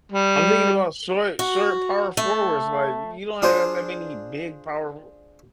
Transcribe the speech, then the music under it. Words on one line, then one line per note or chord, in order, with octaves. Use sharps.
I'm thinking about short short power forwards, like, you don't even have that many big power,
G3
F#4
A3
D4 F4 G#4 C5